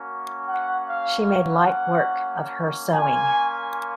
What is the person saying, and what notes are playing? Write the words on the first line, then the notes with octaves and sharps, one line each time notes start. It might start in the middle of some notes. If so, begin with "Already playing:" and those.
She made light work of her sewing.
Already playing: A#3 C#4 F#4
F#5
F5
F#5
A#3 C#4 F4 G#5